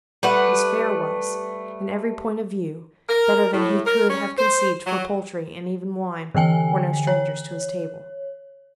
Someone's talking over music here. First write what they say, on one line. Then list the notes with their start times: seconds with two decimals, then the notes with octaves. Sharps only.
His fare was, in every point of view, better than he could have conceived, for poultry, and even wine, were no strangers to his table.
0.23 G3 A3 B4 F#5
3.09 A#4
3.53 A2
3.86 A#4
4.10 C#4
4.38 C5
4.87 F#3
6.35 D3 E3 G5 G#5
7.07 C#5